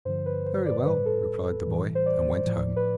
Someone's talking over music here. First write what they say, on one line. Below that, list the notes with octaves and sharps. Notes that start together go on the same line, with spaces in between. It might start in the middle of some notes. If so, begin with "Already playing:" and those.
'Very well,' replied the boy, and went home.
G2 D3 F3 C5
B4
C5
D5
A2 G3 B4
A4
A2 E3 G3
C5
D5
A2 F3
B4